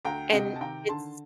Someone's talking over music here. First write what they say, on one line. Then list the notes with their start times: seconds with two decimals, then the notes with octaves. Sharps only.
And it's
0.05 D2 G5 A#5
0.32 C3 D#5 G5
0.55 A5
0.61 D#3 G5 A#5
0.89 D3 A5 C6